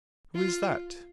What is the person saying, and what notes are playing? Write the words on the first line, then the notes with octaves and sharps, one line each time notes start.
Who is that?
F4